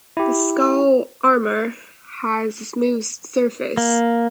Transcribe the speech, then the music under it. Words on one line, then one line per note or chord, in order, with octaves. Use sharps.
The skull armour has a smooth surface.
E4 G4
A#3